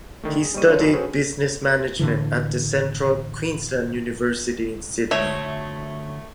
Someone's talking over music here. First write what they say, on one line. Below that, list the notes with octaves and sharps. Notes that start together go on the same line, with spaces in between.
He studied business management at the Central Queensland University in Sydney.
D3 D#3 A3
G#4
G3 A#3 C5 D#5 C#6 D#7
D4 F4 C#5
F2 A2 D#3 E3 F#3
C#4 F#4 G#4 A4 B4 C5
A2 D3 E3
D2 A3 C#5 E5